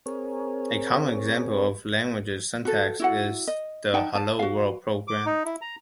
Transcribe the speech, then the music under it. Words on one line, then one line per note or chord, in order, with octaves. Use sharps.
A common example of a language's syntax is the Hello world program.
C4 G#4 A#4 C#5
F#4 A4
E4 F#4 F#5
D#5
D#4 F#5 G5 A5
A5
F#4 F5
D6
D#4
E4
A#5